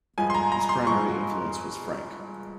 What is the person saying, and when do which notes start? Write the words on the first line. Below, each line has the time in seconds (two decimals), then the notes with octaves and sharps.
His primary influence was Franck.
0.18 G2 F3 G#3 G#5
0.30 C6
0.35 A#5
0.52 A#5
0.69 C6
0.87 G2 F3 G#3 C#6